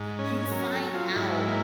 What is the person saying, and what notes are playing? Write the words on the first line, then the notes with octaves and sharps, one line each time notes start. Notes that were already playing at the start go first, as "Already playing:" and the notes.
you find out
Already playing: G#2
C#4
F#3 A#4
A4
F#3
F4
G#2 E4
A#3